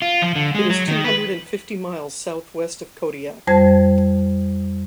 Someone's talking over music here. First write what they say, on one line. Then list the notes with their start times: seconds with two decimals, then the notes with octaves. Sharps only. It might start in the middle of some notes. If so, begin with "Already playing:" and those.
It is two hundred and fifty miles southwest of Kodiak.
0.02 F4
0.22 F3
0.36 D3
0.55 G#3
0.70 F#3
0.88 D#3
1.04 B4
3.47 F2 G3 C5 A5 G#6